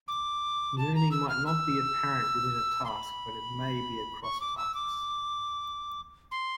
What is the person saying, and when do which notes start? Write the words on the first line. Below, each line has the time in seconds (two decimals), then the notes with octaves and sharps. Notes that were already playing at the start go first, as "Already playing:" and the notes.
Learning might not be apparent within a task but it may be across tasks.
0.08 D6
0.78 A5
0.95 A#5
1.12 E6
1.29 F6
1.46 E6
2.85 C6
2.88 B5
4.23 C#6
4.41 D6
4.57 E6
4.75 D6
6.31 C6